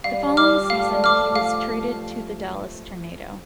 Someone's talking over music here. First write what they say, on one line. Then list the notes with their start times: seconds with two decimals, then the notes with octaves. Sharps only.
The following season he was traded to the Dallas Tornado.
0.04 G3 F5
0.21 F3
0.37 G3 D6 F6
0.54 G3
0.70 A3 F5
0.87 G3
1.03 F3 D6 F6
1.36 F5